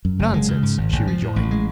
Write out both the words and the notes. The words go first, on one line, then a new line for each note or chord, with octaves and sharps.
"Nonsense," she rejoined.
F#2
F#1
G#3
C#3
G#2
G#1
G#1
F3
A2
A1
G#3